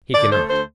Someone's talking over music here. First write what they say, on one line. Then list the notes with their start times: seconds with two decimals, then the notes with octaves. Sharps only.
He cannot.
0.14 D3 D5
0.31 A3 C5
0.49 D2 C5